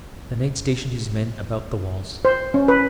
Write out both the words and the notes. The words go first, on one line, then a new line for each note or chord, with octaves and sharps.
The knight stationed his men about the walls.
C5
C#4
B4